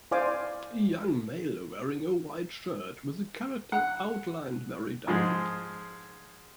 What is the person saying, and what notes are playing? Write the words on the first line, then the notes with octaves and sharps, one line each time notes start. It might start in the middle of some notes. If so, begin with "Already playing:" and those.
A young male wearing a white shirt with a character outlined very darkly.
E4 C5 D5 F5 G#5 D6
F#5
G#2 F3 G#3